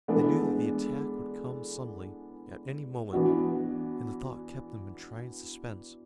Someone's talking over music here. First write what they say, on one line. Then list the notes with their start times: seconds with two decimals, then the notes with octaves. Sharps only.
They knew that the attack would come suddenly, at any moment, and the thought kept them in trying suspense.
0.08 E3 G#3 B3 D4 A4
3.13 E3 B3 D4 F#4